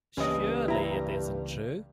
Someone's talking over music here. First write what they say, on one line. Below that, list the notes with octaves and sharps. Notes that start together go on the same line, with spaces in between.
Surely it isn't true?
C#2 G2 E3 A#3 C#4 D#5
E4 A#5